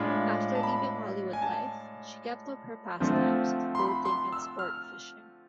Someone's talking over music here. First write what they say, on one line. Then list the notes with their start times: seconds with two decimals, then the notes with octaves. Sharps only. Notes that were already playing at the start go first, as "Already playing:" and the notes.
After leaving Hollywood life, she kept up her pastimes of boating and sport fishing.
Already playing: A2 G#3 D4 F4 B5
0.55 A5
0.63 B5
1.33 G#5
1.42 A5
3.00 D3 F3 A3 C4 F4
3.75 C6
3.79 B5
4.05 C6
4.32 E6
4.59 F6